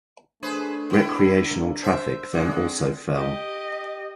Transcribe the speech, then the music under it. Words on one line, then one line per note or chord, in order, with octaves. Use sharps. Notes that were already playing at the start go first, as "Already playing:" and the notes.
Recreational traffic then also fell.
A3 D4 G#4 B4 C5
B3 E4
A#4
C5 E5
D3 G#3 C4 D5
G4 D#5